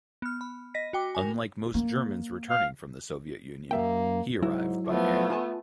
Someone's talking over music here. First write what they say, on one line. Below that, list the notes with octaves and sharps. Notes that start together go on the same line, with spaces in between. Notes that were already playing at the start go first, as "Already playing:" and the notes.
Unlike most Germans returning from the Soviet Union he arrived by air.
B3 F6
B5
D#5 A#6 B6
F#4 G5 D6
A#4 G#5
A#3
F5
F#2 A#3 E5 G5
G#2 F#3 E4
F3 A3 B3
F4 G#5 A5